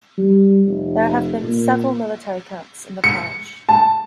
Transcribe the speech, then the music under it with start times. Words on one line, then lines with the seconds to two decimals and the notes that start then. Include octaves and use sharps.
There have been several military camps in the parish.
0.18 G3
0.67 F1
1.44 A#2
3.04 C#7
3.69 A5